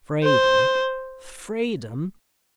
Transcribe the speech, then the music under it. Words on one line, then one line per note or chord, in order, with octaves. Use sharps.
Freedom, freedom!
C5